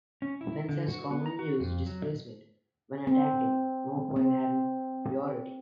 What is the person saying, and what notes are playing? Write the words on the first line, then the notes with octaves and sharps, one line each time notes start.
Fencers commonly use displacement when attacking while not having priority.
C#4
E4
D3
F#4
B3
A#5
F#4
F2
F#3
C4
C4